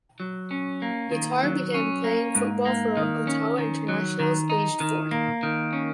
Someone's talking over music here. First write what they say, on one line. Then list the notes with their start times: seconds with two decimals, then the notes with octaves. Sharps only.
Bitar began playing football for Ottawa Internationals aged four.
0.20 F#3
0.51 C#4
0.82 A#3
1.12 D#3
1.43 F#3
1.74 C#4
2.04 A#3
2.35 G#2
2.65 A#3
2.97 D#3
3.27 C#4
3.58 D#3
3.88 F#3
4.20 D#3
4.50 D#4
4.80 D#3
5.11 A#3
5.43 D#3
5.73 C#4